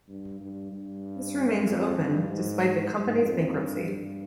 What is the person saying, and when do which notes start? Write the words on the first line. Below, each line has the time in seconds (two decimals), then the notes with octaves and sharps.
This remains open, despite the company's bankruptcy.
0.09 G2
0.40 G2
0.71 G2
1.66 F2
1.97 G2
2.29 G#2
2.92 G#2
3.23 F2
3.55 G2
3.86 G2